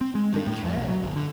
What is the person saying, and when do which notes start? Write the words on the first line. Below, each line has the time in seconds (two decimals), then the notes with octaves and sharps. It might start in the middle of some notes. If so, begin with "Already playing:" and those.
Take care!
0.01 C4
0.15 G#3
0.34 G2
0.47 A2
0.63 F2
0.76 B1
0.88 F#3
1.02 G1
1.16 D3